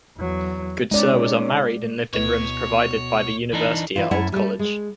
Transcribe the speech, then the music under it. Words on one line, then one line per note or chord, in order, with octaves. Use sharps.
Goodsir was unmarried and lived in rooms provided by the University at Old College.
E2 F#3
G#3 C#4 D#4 D5
D2 B2 E4 B4 C#5
E3 D4 D#4
E3 D#4 F4
F#2 A3 E4 F#5
G3 A3
G#3